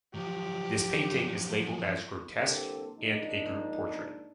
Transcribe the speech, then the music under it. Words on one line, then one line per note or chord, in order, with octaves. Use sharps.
This painting is labelled as "grotesque" and "a group portrait".
F3 F#3 G4
C2 D3 A#3 C4 G4 A4
G#2 F3 A#3 D4 D#4